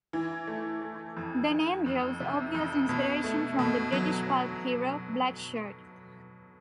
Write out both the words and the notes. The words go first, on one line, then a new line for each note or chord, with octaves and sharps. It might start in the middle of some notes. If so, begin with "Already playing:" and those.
The name draws obvious inspiration from the British pulp hero, Blackshirt.
E3
A3
A3
F2
D#3
F2
C3
F2
B2
A3
B2
F#3